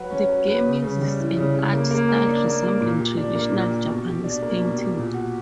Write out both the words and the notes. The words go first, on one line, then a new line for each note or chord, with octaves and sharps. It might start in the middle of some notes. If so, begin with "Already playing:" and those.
The game uses an art style resembling traditional Japanese painting.
Already playing: F#3 F#4 B4
C#4
F#3
B4
C#3
C#3
G3
E3
C#3
C#3
A#3
A#3
A#4
D4
A#3
A#3
A#2
G4
D4
A#3
A#2
G4
B2
G4
D4
A#3
B2
G4
A#2
F#4